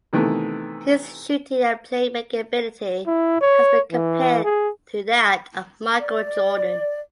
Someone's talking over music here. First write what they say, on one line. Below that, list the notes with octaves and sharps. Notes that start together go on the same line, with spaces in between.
His shooting and play making ability has been compared to that of Michael Jordan.
C3 D#3 E3 A3 B3
E4
C#5
E3
G#4
D5